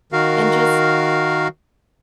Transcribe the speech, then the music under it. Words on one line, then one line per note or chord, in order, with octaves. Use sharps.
and just
D#3 F#4 A#4 F5